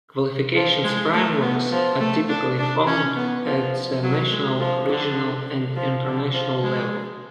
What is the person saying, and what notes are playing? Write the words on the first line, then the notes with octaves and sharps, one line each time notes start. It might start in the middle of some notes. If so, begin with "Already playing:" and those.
Qualifications Frameworks are typically found at the National, Regional, and International level.
F3
G#3
A3
B3
F3
A3
D4
D4
C#4
B3
F3
F#3
G#3
F3
D3
F3
D3
F3
G#3